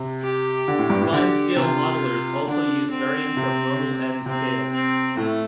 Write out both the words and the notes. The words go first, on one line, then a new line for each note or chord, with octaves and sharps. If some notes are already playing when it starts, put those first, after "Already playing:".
Finescale modellers also use variants of normal N scale.
Already playing: C3
G4
D3
A2
G2
A2
D3 G4
C3 F4
D3 D4
C4
C3
C3 C4
C4
A2 A3